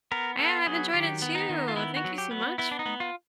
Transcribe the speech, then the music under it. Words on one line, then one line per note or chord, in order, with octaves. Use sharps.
I have enjoyed it, too. Thank you so much for
B3 A#4
B3 A4
F#3 G#4
D#3 G4
B3
D#4
D#3
F4
B3 E4
F#4
F#3
G4
B3
B3 E4
D4
D#4
B3
F4